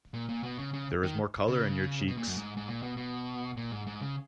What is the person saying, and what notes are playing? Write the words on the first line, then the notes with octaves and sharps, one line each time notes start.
There is more colour in your cheeks.
A#2
A#2
B2
C#3
C#3
D#3
C#3
B2
A#2
F#2
G#2
G#2
A#2
B2
B2
A#2
G#2
G#2
C#3